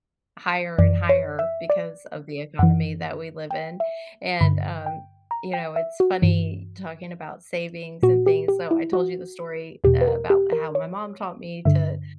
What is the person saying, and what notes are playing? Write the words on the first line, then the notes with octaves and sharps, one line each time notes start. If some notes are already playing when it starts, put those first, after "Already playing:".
higher and higher because of the economy that we live in, and, um, you know, it's funny talking about savings and things. So, I told you the story eh about how my mom taught me to
F#2 E3 D5
C#5
E5
D5
F#2 E3 F#5
G5
E5
G2 D3 B5
G5
A#5
G5
E5
F#4
G2 E3
A#2 F#4
G4
G4
E4
F#4
E2 B2 G4
B4
A#4
G4
A#4
C#5
G2 D3 E5